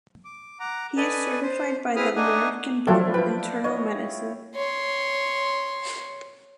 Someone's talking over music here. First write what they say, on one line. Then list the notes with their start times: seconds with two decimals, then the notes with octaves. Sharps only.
He is certified by the American Board of Internal Medicine.
0.25 D6
0.60 F#5 A#5 D6
0.97 A4 B4 D5 D#5 G#5
1.43 C5
1.96 C4 E4 G#4 B4 D#6 F6
2.16 A3 D4 D#4 D#5 F#5 G#5
2.87 F3 F#3 D4 E4 F4 A4 G5
3.14 F4 B4 G5
3.64 C#5 D#5
4.56 C#5 C6